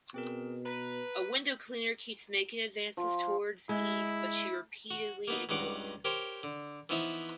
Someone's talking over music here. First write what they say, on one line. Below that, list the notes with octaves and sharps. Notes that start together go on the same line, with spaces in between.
A window cleaner keeps making advances towards Eve but she repeatedly ignores him.
B2 C4 G#4 A#4
B4 A#5
F3
G#3 E4
F#4
A#3 B3 D#4
C#2 G2 D#4 F#5 D6
G4 A#4 C5 C#5
D3
E3 F3 B3 D#4 E4 E5